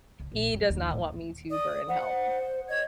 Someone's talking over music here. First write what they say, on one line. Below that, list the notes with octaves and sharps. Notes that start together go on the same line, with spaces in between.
he does not want me to burn in hell.
C#2
A#1
F#2
D#2
A2
D5 D#6
C5 F#5
C#5 D#5 G#6